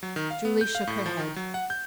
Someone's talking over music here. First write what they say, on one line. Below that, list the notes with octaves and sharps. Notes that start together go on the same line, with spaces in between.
Julie shook her head.
F#3
D#3
F5
B3
G6
F5
A2
F3
D#3
F#3
F#5
G6